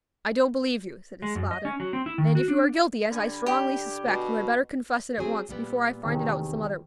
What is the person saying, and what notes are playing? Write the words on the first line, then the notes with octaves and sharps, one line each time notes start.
"I don't believe you," said his father; "and if you are guilty, as I strongly suspect, you had better confess it at once, before I find it out in some other way."
G#3
F#2
D#5
C#4
F#3
C4
E4
D#3
F#4
D4
D3 G3 G#5
G4
B2
F#3 C4 G#4
A#2 G3 B3
E2 C3 D#3